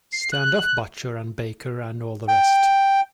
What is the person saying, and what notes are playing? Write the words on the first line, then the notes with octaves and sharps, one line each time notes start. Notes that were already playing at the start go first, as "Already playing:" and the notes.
Stand off butcher and baker and all the rest.
C7
F#6
G5